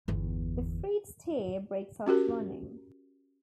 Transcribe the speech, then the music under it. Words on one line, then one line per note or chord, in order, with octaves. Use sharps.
The freed steer breaks out running.
G1 E2
C#4 F#4 G4 A#4